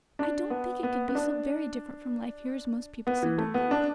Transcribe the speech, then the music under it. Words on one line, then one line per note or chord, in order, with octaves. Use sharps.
I don't think it can be so very different from life here as most people seem to think.
D4
B3
B3
B3
D4
B3
E3
A3
B3
D4